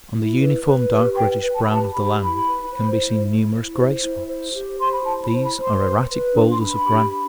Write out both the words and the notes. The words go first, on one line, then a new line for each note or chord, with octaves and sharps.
On the uniform dark reddish brown of the land can be seen numerous grey spots; these are erratic boulders of granite.
E4
B4
B4
G4
B4 G5
B4
A5
B5
G4 A5
G4 B5
E4
B4
C5
E4
E4
E4
C5
E4
C5
G4
C5 C6
B5
E4 A5
B5
C5
B5
C5
C6
B4
B4
D4
C6
D4 B5
G4
D4